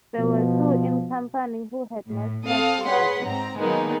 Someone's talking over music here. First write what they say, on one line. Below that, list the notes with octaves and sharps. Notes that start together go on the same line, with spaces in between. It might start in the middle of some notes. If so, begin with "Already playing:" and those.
There were two in company who had not shed blood.
B2 F3
A2
C4 A4 F5 D#6
G#4 B4 C#5 F#5 C6
G#2 C4 A#5
D#3 F#3 G#3 A#3 B3 D#4